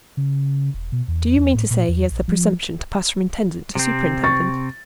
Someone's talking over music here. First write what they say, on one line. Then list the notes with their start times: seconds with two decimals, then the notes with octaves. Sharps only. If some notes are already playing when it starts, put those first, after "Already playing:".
"Do you mean to say he has the presumption to pass from intendant to superintendent?"
0.17 C#3
0.74 E1
0.92 B2
1.08 E2
1.38 E2
1.55 A2
1.70 A#2
1.88 E2
2.11 A#1
2.28 F3
3.75 C3 C4
4.24 C#6 A6